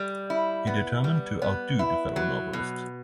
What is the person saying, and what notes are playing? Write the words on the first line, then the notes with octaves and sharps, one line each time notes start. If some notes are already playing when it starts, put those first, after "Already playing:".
He determined to outdo the fellow novelist.
Already playing: G3
E4
B3
G3
B3
E4
F#3
B2